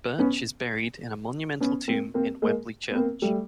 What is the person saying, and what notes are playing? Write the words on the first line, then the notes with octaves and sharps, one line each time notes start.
Birch is buried in a monumental tomb in Weobley Church.
B3 C#4
B3 C#4
A#3 C4
A#3 C4
G#3 A#3
B3
A#3 C4
G3 A3